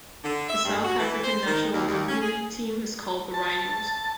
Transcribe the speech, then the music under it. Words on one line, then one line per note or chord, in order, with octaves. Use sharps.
The South African national rugby league team is called the Rhinos.
D3
E5
G2
F#4
E3
C5
D#3
D#2
D#2
C#4
G#4
A5